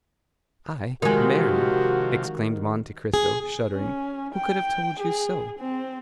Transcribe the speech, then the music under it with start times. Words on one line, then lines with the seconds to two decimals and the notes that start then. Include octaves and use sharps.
"I, married?" exclaimed Monte Cristo, shuddering; "who could have told you so?"
1.02 C3 D#3 F3 G#3 F#4 G4
3.14 G#4
3.74 C#4
4.35 G5
5.00 G#4
5.59 C4